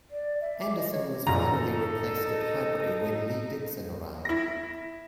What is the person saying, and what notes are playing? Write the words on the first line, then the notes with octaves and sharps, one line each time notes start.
Anderson was finally replaced at Highbury when Lee Dixon arrived.
D5
E5
D6
D#5
C#5
F#2 A#2 C#3 D#4 A4 A#5
E4 A#6